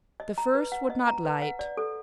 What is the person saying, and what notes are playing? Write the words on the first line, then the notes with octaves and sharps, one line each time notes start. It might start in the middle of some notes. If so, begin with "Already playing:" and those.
The first would not light.
D#5
A#5
B4
F#5
D#5
A#5
B4
F#5
D5
A4